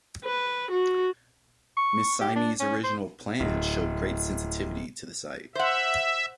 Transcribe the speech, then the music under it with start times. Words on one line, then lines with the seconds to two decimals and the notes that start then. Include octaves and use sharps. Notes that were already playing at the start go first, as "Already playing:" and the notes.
Ms. Symmes' original plan showed great sensitivity to the site.
0.24 B4
0.71 F#4
1.77 C#6
2.21 G4
2.36 D4
2.60 C#4
2.84 C5
3.40 D1
5.55 C5 E5 F#5